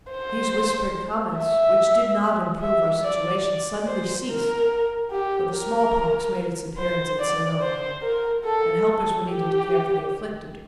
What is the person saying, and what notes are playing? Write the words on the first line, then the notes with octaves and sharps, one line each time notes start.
These whispered comments, which did not improve our situation, suddenly ceased, for the smallpox made its appearance in Sonoma, and helpers were needed to care for the afflicted.
C5
E5
E5
D5
D5
C5
A#4
G4
A#4
C5
D5
C5
A#4
A4
A4
G4